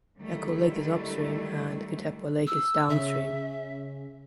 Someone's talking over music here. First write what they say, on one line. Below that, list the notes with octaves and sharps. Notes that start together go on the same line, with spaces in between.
Echo Lake is upstream and Katepwa Lake is downstream.
D3 D#3 F#3 G3 A3 E4
E6
C#3 E5